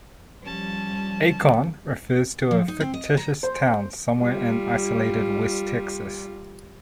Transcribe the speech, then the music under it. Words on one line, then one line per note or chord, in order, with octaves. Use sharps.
"Acorn" refers to a fictitious town somewhere in isolated west Texas.
F3 G3 C#4 A5
F3
D#4
C4
D#5
A#5
C5
G3 F4